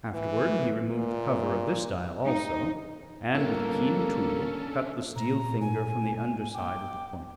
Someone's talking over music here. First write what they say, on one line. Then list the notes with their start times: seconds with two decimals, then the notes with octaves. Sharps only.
Afterward he removed the cover of this dial also, and with keen tool cut the steel finger from the under side of the pointer.
0.14 E3
0.98 A#2
2.24 D#4
3.35 G1 A#3 C#4 D4 A4
5.16 A#2 A#5
5.61 G#5
6.54 G5 D6